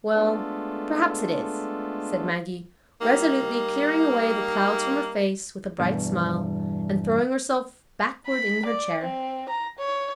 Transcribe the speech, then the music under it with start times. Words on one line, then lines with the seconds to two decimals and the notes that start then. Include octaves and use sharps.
"Well, perhaps it is," said Maggie, resolutely clearing away the clouds from her face with a bright smile, and throwing herself backward in her chair.
0.14 G#3 A3 B3 D4 F4 A4
3.00 G3 A#3 D#4
5.80 E2 G2 B2
8.27 B5
8.66 D5
9.01 C4
9.49 A#5
9.79 C#5